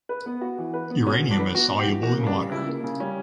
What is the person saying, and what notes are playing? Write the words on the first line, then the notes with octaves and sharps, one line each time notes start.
Uranium is soluble in water.
B4
B3
F#4
E3
B4
B3
C#4 F#4
E3
D4
B4
B3 F#4
F#4
G4
E3
A#3 F#4
C#3
D4
G3
C#2 E4
A#3
C#3
G3 C#4